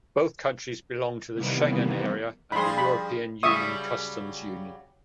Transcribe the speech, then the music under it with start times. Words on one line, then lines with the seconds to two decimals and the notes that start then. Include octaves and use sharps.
Both countries belong to the Schengen Area and the European Union Customs Union.
1.34 C3 D#3 E3 G3 A#3 B3
2.52 G2 F3 G#4 B5 C6
2.78 B5
3.43 C#3 F#3 G3 E5 C#6 D#6